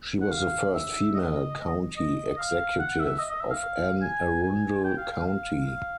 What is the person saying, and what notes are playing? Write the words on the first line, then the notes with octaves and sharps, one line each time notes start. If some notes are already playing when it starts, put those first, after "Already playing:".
She was the first female county executive of Anne Arundel County.
F#5
F5
E5
D#5
D#5
F5
F#5
E5
D#5
D#5
E5
F5
G#5
G#5
G5
F5
F5
F5
F5